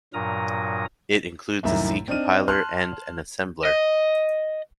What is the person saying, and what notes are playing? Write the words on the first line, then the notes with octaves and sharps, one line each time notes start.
It includes a C compiler and an assembler.
G2 A#2 F#3 A#4 A#5 D#6
C2 F#2 A2 D#3 E5 A#5
C4 D4 D#4 F6 D#7
A5 C6 F6 F#6
D#5